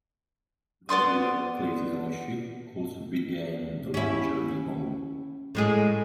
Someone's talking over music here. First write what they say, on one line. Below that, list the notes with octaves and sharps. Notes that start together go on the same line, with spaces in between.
Those without places on a ship also began the long journey home.
B3 D5 C6 D#6
C#4 E4
A2 G#3 G#4